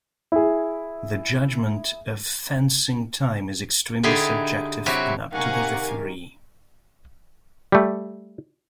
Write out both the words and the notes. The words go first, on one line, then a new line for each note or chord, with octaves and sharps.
The judgement of "fencing time" is extremely subjective and up to the referee.
E4 G#4
D3 D#4 E4 G4 G#4
C3 F#3 E4 F#4 G4
C3 D#3 G4 A#4 F5 F#5 G#5 C#6
G3 A3